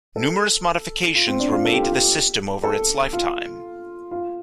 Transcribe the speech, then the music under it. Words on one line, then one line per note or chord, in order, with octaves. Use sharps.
Numerous modifications were made to the system over its lifetime.
A4
F4
C4
D4
F4
A4
G4
F4
G4
A4
F4
F4